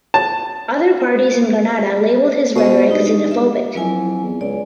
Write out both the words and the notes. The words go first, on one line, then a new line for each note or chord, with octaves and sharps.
Other parties in Granada labelled his rhetoric xenophobic.
A5
B2 C5 D#5
G2 D#4 G4
E5
F2 F#3 E4 G#5
E2
C#2 D5